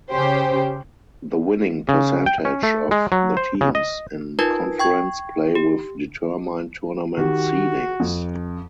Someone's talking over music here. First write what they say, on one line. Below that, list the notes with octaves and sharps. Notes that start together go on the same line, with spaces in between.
The winning percentage of the teams in conference play will determine tournament seedings.
C#3 C#4 G4 C5
C#3
G5
C#4
A3
G#3
F#3
C5
C#3
D#5
D#4 F4 A#4 B4 A5 G#6
G5 C#6 G#6
G4
D#3 F#4 G4
F2